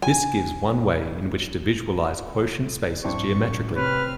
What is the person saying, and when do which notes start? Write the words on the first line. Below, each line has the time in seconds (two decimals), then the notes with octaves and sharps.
This gives one way in which to visualize quotient spaces geometrically.
0.02 G#5
3.04 F#2 A2 C4 D4 E4 C#6
3.76 C3 C4 B4 C#5 F6